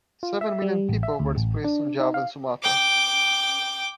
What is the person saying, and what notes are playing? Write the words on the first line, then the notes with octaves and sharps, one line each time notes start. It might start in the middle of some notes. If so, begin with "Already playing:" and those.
Seven million people were displaced on Java and Sumatra.
F4
E5
G3
A1
E5
D2
A1
D4
D#4
F5
G5 D6